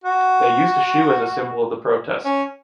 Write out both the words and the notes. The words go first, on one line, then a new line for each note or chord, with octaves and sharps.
They used a shoe as a symbol of the protest.
F#4
C#4